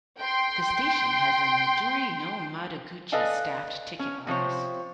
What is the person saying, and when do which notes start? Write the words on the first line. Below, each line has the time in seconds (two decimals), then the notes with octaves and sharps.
The station has a "Midori no Madoguchi" staffed ticket office.
0.20 G5 C6
3.12 A4 B4 D5 D#5 F5 G#5
3.99 C#4
4.27 C3 F3 C5 C#5